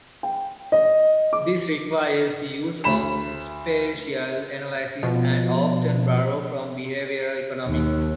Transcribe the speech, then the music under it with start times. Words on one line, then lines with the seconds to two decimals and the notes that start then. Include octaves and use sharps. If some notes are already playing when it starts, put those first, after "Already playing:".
This requires the use of spatial analysis and often borrows from behavioral economics.
0.23 G5
0.72 D#5
1.33 D6
2.84 D2 B5 E7
5.03 B2 F3
7.67 D#2